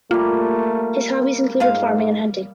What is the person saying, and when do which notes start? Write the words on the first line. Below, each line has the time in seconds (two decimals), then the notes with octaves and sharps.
His hobbies included farming and hunting.
0.11 G3 A3 A#3 F4
1.60 G#2 F4 C5 F5